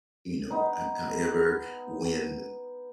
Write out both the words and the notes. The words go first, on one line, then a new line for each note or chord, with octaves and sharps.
you know? H however, when
B3 D#4